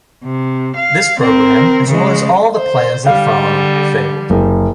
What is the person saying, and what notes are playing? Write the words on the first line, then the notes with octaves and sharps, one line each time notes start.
This programme, as well as all the plans that followed, failed.
C3
F5
C4 A#4
C#3 G#3
C5
D3 G3 F5
F#1